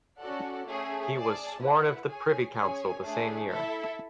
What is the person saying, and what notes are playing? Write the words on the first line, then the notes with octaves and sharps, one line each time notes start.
He was sworn of the Privy Council the same year.
C#4 F#4 A4 D5 F#5
A3 C#4 G#4
G#4 D5 A5
E4 B4 F#5
G#4 C#5 G#5
C#4 G#4 C#5 G#5
A3 D4 G#4
E4 A4 E5